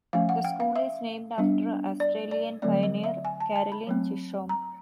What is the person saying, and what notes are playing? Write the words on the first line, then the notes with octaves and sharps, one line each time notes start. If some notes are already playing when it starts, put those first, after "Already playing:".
The school is named after Australian pioneer Caroline Chisholm.
F3 A3 C#4 F5
F#5
G5
F5
E5
G3 B3 D4
D5
D5
D3 F#3 A3 C4 D5
D#5
E5
G#5
A5
A5
B5
F#3 A3 C4
A#5